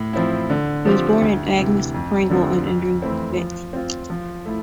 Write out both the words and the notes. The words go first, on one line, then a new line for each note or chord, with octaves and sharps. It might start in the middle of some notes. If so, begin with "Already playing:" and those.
He was born to Agnes Pringle and Andrew Veitch.
Already playing: A2
F3 C4 E4
D3
F3 C4 G4
D2
C3 E3
F2
D3 F3 C4
F2
E3 A3 C4 E4
F3
C4 F4
F3
A3 E4